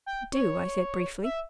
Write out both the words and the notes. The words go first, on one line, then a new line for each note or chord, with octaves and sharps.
"Do," I said briefly.
G5
C#5
E5